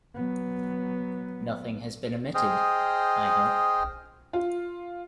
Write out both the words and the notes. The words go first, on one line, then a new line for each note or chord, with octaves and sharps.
Nothing has been omitted, I hope?
F#3 B3
G#4 C5 D#5 G5 D#6 F6
F4